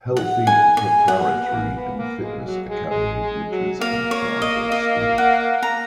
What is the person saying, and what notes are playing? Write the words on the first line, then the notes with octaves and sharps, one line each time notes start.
Healthy Preparatory and Fitness Academy which is a charter school.
F#2
G#2 F#5
G#5
G#5
G#3
F#3 F#5
B3
A#3
B3
A#3
B3
A#3
G#3
F#3
G#3
G#3
G#3
F#3
A#3 F5
C#5
D#5
D#5
F#5
A#5